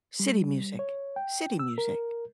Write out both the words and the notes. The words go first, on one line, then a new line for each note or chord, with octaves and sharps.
City music. City music.
G3
C#5
G5
E6
A#4